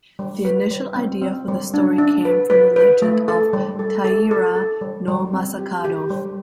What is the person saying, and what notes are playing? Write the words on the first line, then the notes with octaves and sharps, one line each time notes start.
The initial idea for the story came from the legend of Taira no Masakado.
G3
B4
G3
C4
C4
G3
D4
D4
B4
B4
B4
A3
A4
G3
A4
A4
A4
A4
G3
G3
C4
G4
G4
G3